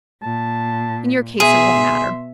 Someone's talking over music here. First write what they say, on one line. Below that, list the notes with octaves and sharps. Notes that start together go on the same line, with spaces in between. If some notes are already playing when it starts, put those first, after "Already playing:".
In your case, it won't matter.
A#2 A5
B2 G#4 E5 C6